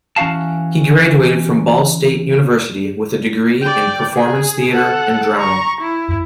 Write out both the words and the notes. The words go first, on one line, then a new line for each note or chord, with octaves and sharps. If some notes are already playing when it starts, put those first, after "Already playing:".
He graduated from Ball State University with a degree in performance theater and drama.
E3 C#4 F#4 F5 A5
D5 G5
G#4
A4 F#5
A#5 C#6
E4